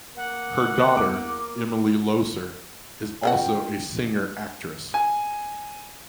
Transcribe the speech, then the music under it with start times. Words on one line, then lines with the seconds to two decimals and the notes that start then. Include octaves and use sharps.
Her daughter, Emily Loesser, is also a singer-actress.
0.17 A#3 F#5
0.97 E2 D6
3.23 C#3 C#4 F4 F#4 G5
4.94 G#5